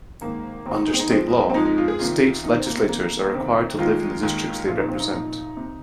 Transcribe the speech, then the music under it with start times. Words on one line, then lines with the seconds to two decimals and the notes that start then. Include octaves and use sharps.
Under state law, state legislators are required to live in the districts they represent.
0.21 G#1 G#2 D#3 G#3 A#3
0.66 G#1 G#2 D#3 G#3 C4
0.77 D#4
0.88 G#4
0.93 C4
1.00 D#4
1.10 F2 F3 G#3 C4
1.50 C4
1.54 F2 F3 G#3 D#4
1.66 D#4
1.78 F4
1.88 G#4
1.99 C2 C3 D#3 F4
2.44 C2 C3 D#3 D#4
2.56 C4
2.66 A#3
2.77 C4
2.89 C2 C3 D#3 A#3
3.23 A#3
3.34 C2 C3 D#3 C4
3.78 D#2 D#3 G#3 F4
4.22 D#2 D#3 G#3
4.67 C2 A#2 F3 F4
4.79 D#4
4.89 C4
5.00 D#4
5.12 C2 A#2 F3 D#4
5.57 C3